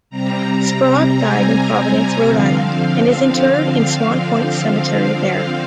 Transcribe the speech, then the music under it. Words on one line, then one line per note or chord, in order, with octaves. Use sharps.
Sprague died in Providence, Rhode Island, and is interred in Swan Point Cemetery there.
C3 G3 C4 A#5
G#5
D3 F3 C4 F5